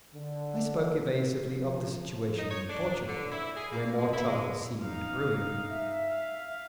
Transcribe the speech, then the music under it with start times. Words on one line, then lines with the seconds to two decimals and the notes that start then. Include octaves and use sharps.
I spoke evasively of the situation in Portugal, where more trouble seemed brewing.
0.14 D3
1.47 F3
2.37 D#4
2.49 C#5
2.68 D4
3.07 D3
3.31 E4
3.55 G#4
3.71 A#3
3.97 G#3
4.12 E4
4.26 G#3
4.82 D#4 F5
5.69 E5
6.09 F5